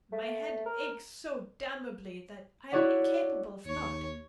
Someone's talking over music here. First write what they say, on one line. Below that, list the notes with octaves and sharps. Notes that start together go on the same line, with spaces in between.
My head aches so damnably that I am incapable of thought.
A3
A#4
E4 F#4 C#5 D5 F#5
D#2 C#5